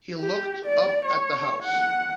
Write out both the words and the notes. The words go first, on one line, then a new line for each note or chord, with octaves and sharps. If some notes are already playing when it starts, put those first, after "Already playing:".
He looked up at the house.
G4
D5
C#5
F#5